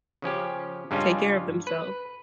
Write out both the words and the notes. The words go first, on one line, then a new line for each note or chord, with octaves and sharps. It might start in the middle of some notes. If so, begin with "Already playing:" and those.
take care of themselves.
C#3 F3 C#4 G4
G2 C#3 G3 G#3 C#4 F4
B4